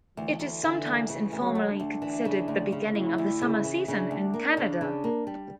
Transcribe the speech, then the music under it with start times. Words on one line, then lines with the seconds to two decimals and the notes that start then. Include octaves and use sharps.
It is sometimes informally considered the beginning of the summer season in Canada.
0.17 D2 E3
0.39 D2
0.63 D3 E3
0.87 D2
1.09 C#3 E3
1.32 D2
1.40 F#3
1.55 D2
1.71 D4
1.80 D2
2.02 E3
2.25 C#3
2.48 D2
2.72 C#3
2.94 D2 E4
3.18 D2
3.42 C#3
3.65 E3
3.88 C#3 D4
4.11 D2
4.34 A#3
4.57 C#3
4.81 C#3
5.04 A#3
5.27 G3